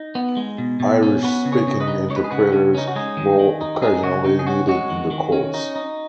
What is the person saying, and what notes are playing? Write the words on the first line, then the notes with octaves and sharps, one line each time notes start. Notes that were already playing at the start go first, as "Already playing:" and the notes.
Irish-speaking interpreters were occasionally needed in the courts.
Already playing: D#4
B3
G#3
B2
B2
C#4
B3 F#4 B4
C#3
G#4 C#5
C#3
B4 D#5
D#4
G#3 C#5
B4
G#4
C#3 F#4 B4
C#3
C#4 D#4
F#4
G#3 D#4 G#4
D#3
D#3
D#4
G#3 D#4 G#4
C#3 F#4
C#3 D#4
G#4
C#4 F#4
G#3 F#4
D#3
D#3
C#4
D#4
D#4